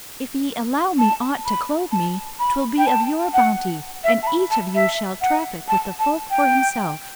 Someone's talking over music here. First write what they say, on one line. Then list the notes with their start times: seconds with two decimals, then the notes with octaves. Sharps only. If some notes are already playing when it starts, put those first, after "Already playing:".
If ye allow me aught to clothe me, 'twill be of your bounty, and each of you shall traffic with the folk for himself.
0.99 A5
1.45 B5
1.92 A5
2.39 B5
2.78 G5
2.87 A5
3.34 F#5
4.04 E5
4.23 A5
4.27 B5
4.51 A5
4.75 E5
5.22 F#5
5.68 A5
5.99 A5
6.31 G5